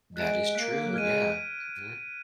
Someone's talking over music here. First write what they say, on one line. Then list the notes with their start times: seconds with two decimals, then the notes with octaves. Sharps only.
That is true, yeah, mhm.
0.15 G#3 F#6 B6 D7
0.55 A#3 F#6 B6 D7
0.84 F#3
0.94 G#3 F6 G#6 D#7